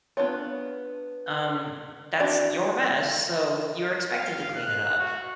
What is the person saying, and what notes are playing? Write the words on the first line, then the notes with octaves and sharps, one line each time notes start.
Um, that's your mess, so you're expected to clean it up."
B3 D4 F4 C#5
D4 F#4 D5
F5
F#6
F#4